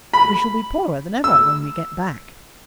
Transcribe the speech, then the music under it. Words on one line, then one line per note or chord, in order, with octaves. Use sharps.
We shall be poorer than ever when we get back.
B5
E6